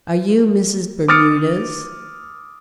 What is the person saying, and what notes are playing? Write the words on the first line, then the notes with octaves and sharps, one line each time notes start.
"Are you Mrs. Bermudez?"
D6 D#6 F6 A6 C#7 D7